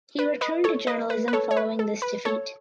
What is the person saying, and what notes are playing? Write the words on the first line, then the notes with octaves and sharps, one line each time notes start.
He returned to journalism following this defeat.
B4
B4 D#5
A4 C#5
B4 D#5
B4
B4
A4 C#5
C#5
B4
A4
B4
A4 C#5